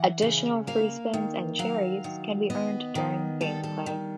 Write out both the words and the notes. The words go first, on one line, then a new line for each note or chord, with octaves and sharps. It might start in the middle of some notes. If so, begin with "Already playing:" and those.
Additional Free Spins and cherries can be earned during gameplay.
Already playing: E3 F#5
C#3
A#3 F5
D#3
F#3 F5
D#3
B3 D#5
D#3
G3 A4
A4
D#3